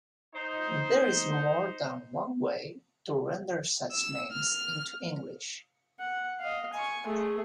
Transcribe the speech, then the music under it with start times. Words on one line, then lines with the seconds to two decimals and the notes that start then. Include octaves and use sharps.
There is more than one way to render such names into English.
0.35 D#4 C5
3.91 E6
4.32 F6
5.99 F#5
6.40 D#5 F5
6.73 G#5 C#6
7.07 A3 G#4